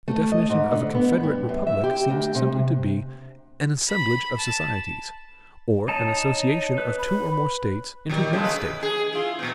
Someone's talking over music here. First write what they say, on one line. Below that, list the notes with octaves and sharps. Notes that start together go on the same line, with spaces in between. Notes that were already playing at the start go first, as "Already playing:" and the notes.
The definition of a CONFEDERATE REPUBLIC seems simply to be "an assemblage of societies," or an association of two or more states into one state.
A3
D#5
G#2
D3
B3
G2
F#2
E5
G4
D2
C3
B5
A5
D#4 C#5 A5
B4
B5
A#2 D#3 G3
C#3 G#3 A3
B4
G#4
E4 F4
A#2 B3